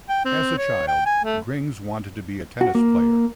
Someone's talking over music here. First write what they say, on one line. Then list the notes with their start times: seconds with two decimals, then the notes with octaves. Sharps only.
As a child, Grings wanted to be a tennis player.
0.09 G5
0.25 C4
0.58 C#5
0.88 G5
1.06 G#5
1.24 A3
2.61 F#4
2.75 A#3